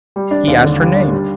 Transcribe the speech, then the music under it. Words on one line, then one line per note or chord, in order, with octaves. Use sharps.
He asked her name.
G3
D4
D#2
D3
G3
D4
G3